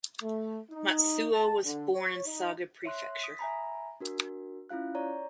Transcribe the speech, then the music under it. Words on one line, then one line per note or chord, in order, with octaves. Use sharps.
Matsuo was born in Saga Prefecture.
A3
D#4
A5
D3
C#5
D#4
C#5 E5 C6 F#6
D#6 B6
E5 G#5 A#5 B5
D4 F#4 A#4
C#4 E4 F4 F5 F#6
C#5 D5 A#5